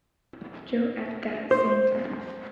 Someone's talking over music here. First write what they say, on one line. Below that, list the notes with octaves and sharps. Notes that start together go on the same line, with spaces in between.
Joe at that same time.
C5